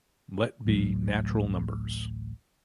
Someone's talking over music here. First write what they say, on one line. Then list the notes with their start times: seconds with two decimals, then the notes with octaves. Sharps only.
Let be natural numbers.
0.65 A1 D2 A2 F#3